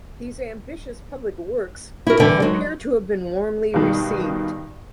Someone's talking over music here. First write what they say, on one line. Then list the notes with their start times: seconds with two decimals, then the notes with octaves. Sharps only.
These ambitious public works appear to have been warmly received.
2.07 E4 F#4 A#4
2.20 G2 D3 E3 E5 G5
2.42 F#3 G#3 D#4
3.74 G2 B2 D#3